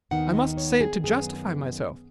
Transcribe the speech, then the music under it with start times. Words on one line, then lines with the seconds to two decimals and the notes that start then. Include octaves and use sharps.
I must say it to justify myself.
0.11 D#2 D#3 B3 D#4 F#5
0.34 D#5
0.57 C#5
0.81 G#4
1.04 F#2 D#3 B3 G#4